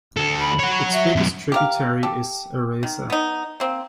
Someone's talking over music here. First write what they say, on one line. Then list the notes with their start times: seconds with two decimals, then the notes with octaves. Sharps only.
Its biggest tributary is Aresa.
0.17 D2 A4
0.40 B5
0.59 F#4 C#5
0.93 E5
1.16 F#2 B2
1.52 G4 A#4 F5
2.03 G4 A4
2.83 D#3
3.10 B3 D#4
3.60 A#3 C4